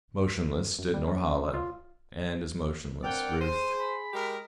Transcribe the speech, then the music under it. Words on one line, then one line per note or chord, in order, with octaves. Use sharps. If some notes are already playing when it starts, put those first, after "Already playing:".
Motionless stood Norhala; and as motionless Ruth.
F#2
G3
C#4
F4
G2 C4 A#4 D5 F#5 G5
G#4 C5 D#7
B5
G#3 G4 A#4